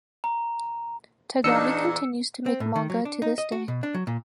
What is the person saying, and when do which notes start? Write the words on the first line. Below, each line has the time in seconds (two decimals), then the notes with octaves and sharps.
Tagami continues to make manga to this day.
0.24 A#5
1.44 E2 A#2 D4 D#4 D#5 E6 C#7
2.46 C4
2.60 A2
2.76 D#3
2.90 F#3
3.05 D4
3.22 D#4
3.38 D#5
3.52 F#4
3.68 B2
3.83 D4
3.95 F#3
4.07 A#2